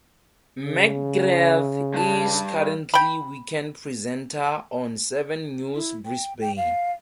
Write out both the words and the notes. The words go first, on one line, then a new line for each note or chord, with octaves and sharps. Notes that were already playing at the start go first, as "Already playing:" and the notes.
McGrath is currently weekend presenter on "Seven News Brisbane".
C#3
G2 A5
G5 B5
E4
G5
G5
F5